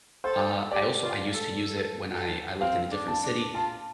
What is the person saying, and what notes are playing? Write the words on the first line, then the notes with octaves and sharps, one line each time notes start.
Uh, I also I used to use it when I I lived in a different city,
A4 C5
G4 D5
F4
A4
A4
A4
C4 F5
D4
A5
D4
F4 A5